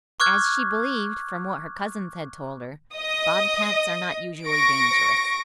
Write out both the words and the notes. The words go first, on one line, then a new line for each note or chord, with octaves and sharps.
As she believed, from what her cousins had told her, bobcats are not usually dangerous.
C#6 D6 F6 F#6 G#6
D#5 D#6
C#6 A#6 D7